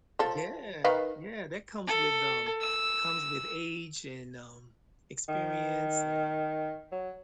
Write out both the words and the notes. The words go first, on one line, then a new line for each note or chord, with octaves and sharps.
Yeah, yeah, that comes with, um comes with age and, um, experience and
F3 A4
D#3 B4 F5
A4
E6
D#3
F#3